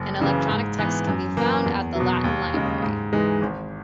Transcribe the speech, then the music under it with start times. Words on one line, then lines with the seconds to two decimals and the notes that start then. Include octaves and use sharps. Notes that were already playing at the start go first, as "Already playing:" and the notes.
An electronic text can be found at the Latin Library.
Already playing: F#1
0.19 F#2 C#3 E3
0.49 G#2
0.78 E3 B3
1.07 F#2
1.37 E3 A#3
1.66 E2
1.95 B2 F#3
2.24 D#2
2.54 C#3 G#3
2.83 G#2
3.13 E3 G#3 D#4
3.42 G#1